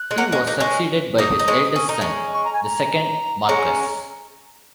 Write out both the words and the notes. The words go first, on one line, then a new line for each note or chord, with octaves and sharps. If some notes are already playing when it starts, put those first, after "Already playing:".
He was succeeded by his eldest son, the second Marquess.
Already playing: F#6
G#3
F#3 A#3
G#3 C#4
A#3 D#4
G#3 C#4
A#3 D#4 D#6
D#4
G#3 C#4
C#4
D#4
G#3 C#4
C#6
A#5
G#5
A#5
G#3 C#4